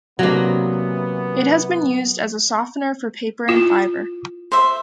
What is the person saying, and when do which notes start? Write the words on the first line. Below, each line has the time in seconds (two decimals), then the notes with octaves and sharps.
It has been used as a softener for paper and fiber.
0.19 C3 E3 F#3 A#3 B3 D4
3.48 E4 F4
4.52 C5 E5